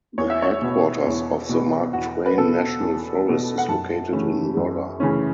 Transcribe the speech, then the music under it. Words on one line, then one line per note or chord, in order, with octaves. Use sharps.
The headquarters of the Mark Twain National Forest is located in Rolla.
E2 C#5
E5
C#5
B2 B3
E2
B2 B3
E2 F#4
B4
B2 B3 A4
E2
B2 B3
F#5
F#2 A5
C#3 E3 A3 C#4
F#2
C#3 E3 A3 C#4